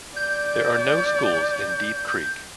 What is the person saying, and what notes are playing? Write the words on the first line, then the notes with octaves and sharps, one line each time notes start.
There are no schools in Deep Creek.
D5 G6